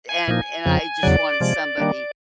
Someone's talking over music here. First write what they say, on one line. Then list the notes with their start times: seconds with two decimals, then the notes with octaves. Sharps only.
And and I just wanted somebody
0.09 G#5
0.28 A#2 F3 A#3 D#4
0.65 F2 C#3 F3
1.03 E2 C#3 F#3 D5
1.40 C3 F3 G#3
1.78 D#3 G3 A#3 D4